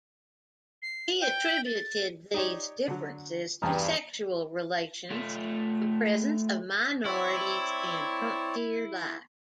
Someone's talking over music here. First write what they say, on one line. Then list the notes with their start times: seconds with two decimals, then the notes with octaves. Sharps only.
He attributed these differences to sexual relations, the presence of minorities and frontier life.
0.82 C7
1.21 G5
1.65 A6
2.34 D#4 G4 C#5 D5
2.88 D3 F#3
3.62 E2 G2 G5 A5 A#5 D#6 F6
5.11 A3 F4
7.05 C4 E4 C#5 D5